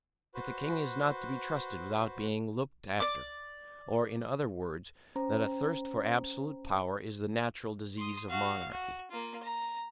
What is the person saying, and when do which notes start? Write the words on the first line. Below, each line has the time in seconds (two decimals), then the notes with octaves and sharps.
That the king is not to be trusted without being looked after, or in other words, that a thirst for absolute power is the natural disease of monarchy.
0.35 F#4 B4 C5
3.00 D5 D6
5.16 C#4 C5 A#5
7.98 C6 D#6
8.29 F#4 F5
8.71 F#4
9.11 A#3 F4
9.43 A#5